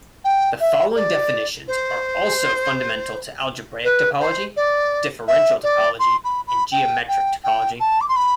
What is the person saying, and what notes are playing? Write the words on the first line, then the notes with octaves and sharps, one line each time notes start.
The following definitions are also fundamental to algebraic topology, differential topology and geometric topology.
G5
E5
D5
C5
B4
C5
D5
E5
D5
C6
B5
B5
G5
G5
G5
A5
D6
C6
B5